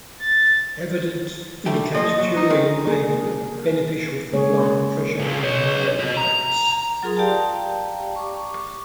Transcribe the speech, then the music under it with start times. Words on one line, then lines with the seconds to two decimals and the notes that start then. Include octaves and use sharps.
Evidence indicates taurine may be beneficial for blood pressure in male rats.
0.19 A6
1.66 G3 A3 G4
1.95 A#2 F3 D#5
2.18 F#3
2.37 D#4
2.50 D#3 G#3 C4
2.87 A#3 G#4
4.33 C#3 G#3 A#3 G#4 C#5
5.19 C#2
5.43 B4 C#5
6.00 B4 D#5
6.17 A#5
7.03 F#3 F4 G#4 A#4 C6 D#6
7.16 G4 D5 F5 G5 A5 A#5
8.16 C#6 D6